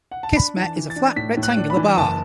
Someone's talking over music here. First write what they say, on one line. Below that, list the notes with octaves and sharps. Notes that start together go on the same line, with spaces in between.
Kismet is a flat, rectangular bar.
F#5
A5
D4 B5
E3
A5
E3
A6
D4
A2 B6
A2
F#6
D4
B5
E3
F#1 A5